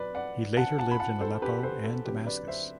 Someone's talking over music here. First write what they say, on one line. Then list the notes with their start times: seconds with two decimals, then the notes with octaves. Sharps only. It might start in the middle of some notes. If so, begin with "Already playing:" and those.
He later lived in Aleppo and Damascus.
Already playing: B2 F#3 C4 B4 D5
0.15 D5 F#5
0.57 F#5 A5
0.78 F#5 A5
0.91 B5
1.00 F#5 A5
1.21 A4 C5
1.42 G4 B4
1.63 A4 C5
1.84 A4
2.05 D3 F#3 C4 G4 B4
2.26 B4 D5
2.48 C5 E5